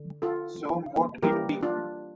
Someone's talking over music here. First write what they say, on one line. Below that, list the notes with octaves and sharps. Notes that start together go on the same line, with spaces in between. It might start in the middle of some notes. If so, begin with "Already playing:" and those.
So mote it be.
Already playing: D3
F4 A4
E3 G3 A#3 G4 A#4
D4 F4